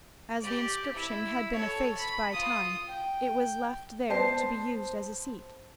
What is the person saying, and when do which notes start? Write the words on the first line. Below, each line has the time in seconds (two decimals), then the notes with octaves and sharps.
As the inscription had been effaced by time, it was left there to be used as a seat.
0.40 G4 D5
0.94 E4
1.53 A4 C#5
1.98 B5
2.32 F4 D#6
2.89 G5
4.09 B3 C5 A5 C7